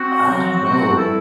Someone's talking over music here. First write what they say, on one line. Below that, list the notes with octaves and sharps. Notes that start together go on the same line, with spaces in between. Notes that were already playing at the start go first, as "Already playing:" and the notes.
I don't know.
Already playing: C4 F#4
F#3 C4 F#4
F#3 C4 F#4
E3 G3 C4 E4 A4